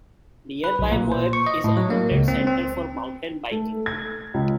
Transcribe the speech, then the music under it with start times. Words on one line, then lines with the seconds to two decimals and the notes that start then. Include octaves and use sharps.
Nearby Moab is a noted center for mountain biking.
0.64 B4
0.79 B1
0.91 A#2
1.12 C5
1.33 C#6
1.47 D#5
1.64 A2
1.77 F#3
1.90 A#3
2.11 C#2
2.28 C4
2.47 C4
3.51 A3
3.86 G#6
4.34 C#2